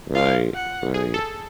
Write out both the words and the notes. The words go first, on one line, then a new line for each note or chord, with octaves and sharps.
Right, right.
F4 F5
F#5
G#4
A4